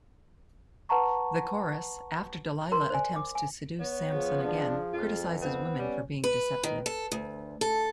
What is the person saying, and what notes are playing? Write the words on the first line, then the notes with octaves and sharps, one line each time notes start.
The Chorus, after Delila attempts to seduce Samson again, criticises women for being deceptive.
B4 F#5 A5 A#5 C#6
A#4 A#5 C6
C5 D5 G#5
D6
G#5
B3 C#5
F3 G#4
D4
F2 F4
B3 C4
G3 C#4 D5
B4
D#3
A4
D2
A4